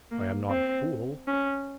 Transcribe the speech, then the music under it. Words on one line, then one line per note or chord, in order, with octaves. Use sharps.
I am not a fool.
A#3
C4
C#4